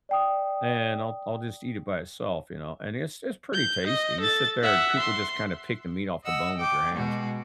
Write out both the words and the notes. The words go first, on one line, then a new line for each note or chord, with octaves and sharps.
and I'll I'll just eat it by itself, you know? And it's it's pretty tasty, you sit there and people just kinda pick the meat off the bone with your hands.
D5 G5 D#6
G6
D#5
A4 A6
E5 F#5
C6
D#5 F#5 E6
G5 D6
B2 G#3 F#4